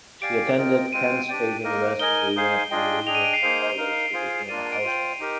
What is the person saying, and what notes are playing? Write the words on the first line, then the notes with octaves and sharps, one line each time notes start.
She attended Kent State University, and upon leaving college she became a housewife.
G4 D5 F5 G#5 D7
F4 A#4 D#5 G5
G#3 C4 F4 C5 D#7
D4 G4 D5 G5
A#3 D#4 A#4 D#5
D#4 A#4 D#5 G#5 G7
D#4 G#4 C5 F5 G#5
D4 F4 G#4 D#5 G5
D4 G#4 D#5 G5 F7
D#7
D7
C7
A#3 D#4 G#4 C5 F5
D#4 A#4 F5
F4 G#4 C5 F5 G#5
A#3 D4 F4 A#4 D5 D#7
D7
F4 C5 G5 D#7
D#4 G4 A#4